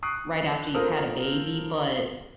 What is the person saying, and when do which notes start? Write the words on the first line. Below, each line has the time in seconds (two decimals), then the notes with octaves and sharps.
right after you've had a baby. But,
0.03 C#6 D#6 F#6 C7 D7
0.75 F4 A4 A#4 C5 D#6